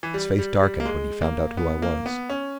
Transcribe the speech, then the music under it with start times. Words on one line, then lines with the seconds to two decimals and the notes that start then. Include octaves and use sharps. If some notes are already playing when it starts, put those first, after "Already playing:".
His face darkened when he found out who I was.
0.03 E3
0.14 G3
0.38 G3
0.63 G3
0.80 A#3
0.85 G#3
1.22 A#3
1.57 B3
1.82 A#3
2.06 B3
2.30 C#4